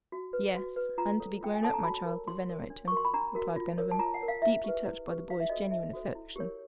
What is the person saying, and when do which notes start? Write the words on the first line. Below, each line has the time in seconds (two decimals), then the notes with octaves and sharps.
"Yes, and to be grown up, my child, to venerate him," replied Glenarvan, deeply touched by the boy's genuine affection.
0.12 F#4
0.33 B4
0.55 F#4
0.76 B4
0.98 F4 A#5
1.20 A4 C#5
1.41 F4 G5
1.54 G#5
1.63 A4 C#5 A5
1.74 A#5
1.84 F#4 B5
2.06 A#4 C#5
2.27 F#4 C6
2.49 A#4 C#5
2.70 D4
2.88 C#6
2.92 F#4 A#4 C6
3.05 B5
3.13 D4 A#5
3.35 F#4 A#4
3.56 F4
3.78 A#4 C#5
3.91 A5
3.99 F4 A#5
4.14 F#5
4.21 A#4 C#5
4.28 F5
4.42 E4 E5
4.64 G4 B4
4.85 E4
5.07 G4 B4
5.29 D#4 F5
5.40 E5
5.49 F#4 A4 C5 D#5
5.71 D#4 E5
5.93 F#4 A4 C5
6.15 E4
6.36 G4 A#4 C#5